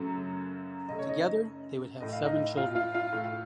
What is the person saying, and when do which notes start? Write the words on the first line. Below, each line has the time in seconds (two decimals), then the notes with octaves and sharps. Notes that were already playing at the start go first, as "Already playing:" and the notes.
Together they would have seven children.
Already playing: F#2 C#3 F#3 A3
0.89 F#2 C#3 A3 D#5
0.99 C#5
1.09 D#4 D#5
2.00 A2 A3 D#5
2.13 F5
2.24 D#4 D#5
2.57 F4 F5
2.75 F4 F5
2.94 F4 F5
3.13 A2 A3